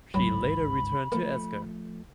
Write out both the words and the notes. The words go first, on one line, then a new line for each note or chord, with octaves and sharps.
She later returned to Asker.
G1 C#2 G#2 F#3 B5
F3 A3 A#3